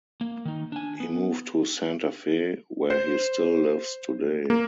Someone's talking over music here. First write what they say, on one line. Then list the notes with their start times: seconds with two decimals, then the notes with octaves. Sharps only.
He moved to Santa Fe where he still lives today.
0.21 A#3
0.45 D#3 D#4
0.72 D4 G#5
1.00 B3
2.90 C5
4.50 A#3